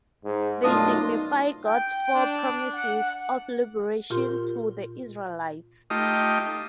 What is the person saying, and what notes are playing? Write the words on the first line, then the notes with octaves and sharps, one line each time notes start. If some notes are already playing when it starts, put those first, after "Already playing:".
They signify God’s four promises of liberation to the Israelites.
G#2
F#2 B2 A3 D4 D#4 F4 D#5 D#6
G5
D4
F#5
A#2 F4 G4 A#4 C6
A3 D#4 F4 G4 D#5